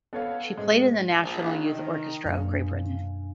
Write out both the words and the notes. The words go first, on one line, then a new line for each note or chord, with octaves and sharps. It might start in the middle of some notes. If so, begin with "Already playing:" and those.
She played in the National Youth Orchestra of Great Britain.
B3 A4 C#5 F5
G#2 G#3
A#1
D#3
F#2 B2 A#3 D4 F5 G#5